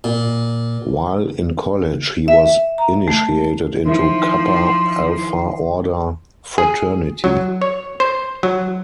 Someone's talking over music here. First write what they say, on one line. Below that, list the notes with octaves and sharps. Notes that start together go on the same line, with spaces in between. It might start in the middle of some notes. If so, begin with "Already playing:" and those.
While in college he was initiated into Kappa Alpha Order fraternity.
A#2
E5
A#5
A3
D#3 F3 E4 C6
G#4
F#3
C#5
C5
F#3